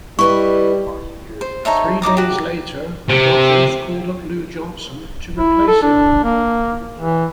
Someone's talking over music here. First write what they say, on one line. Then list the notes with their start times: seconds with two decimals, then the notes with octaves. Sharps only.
Three days later the Dodgers called up Lou Johnson to replace him.
0.19 G3 E4 B4 D#5 C#6
1.41 C5
1.65 D#4 A4 C#5 E5
2.02 D#4 C5 D6 D#6
2.17 F#4 G4
3.09 C3
5.38 E4
5.68 A4
5.82 D4
6.24 A#3
6.99 E3